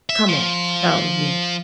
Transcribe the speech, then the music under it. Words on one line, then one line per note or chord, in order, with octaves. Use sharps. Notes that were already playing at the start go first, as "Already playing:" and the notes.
come on, so, yeah.
E5
F3